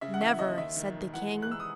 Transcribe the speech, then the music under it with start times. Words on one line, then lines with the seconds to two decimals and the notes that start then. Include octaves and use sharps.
"Never!" said the King.
0.01 C#3 E5
0.14 F#5
0.21 E3 E5
0.39 D#2 D#5
0.58 D#3 E5
0.76 D#3
0.94 E1
1.13 E3 F#5
1.31 G#3
1.43 F#6
1.50 E3 E6
1.60 D#6